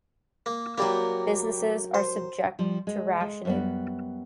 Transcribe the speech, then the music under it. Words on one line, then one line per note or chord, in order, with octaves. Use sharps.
Businesses are subject to rationing.
A#3
F#3 G3 A#3 G4 A#4
C5
F3 G3
G#3
G#3
F#2 G3 B3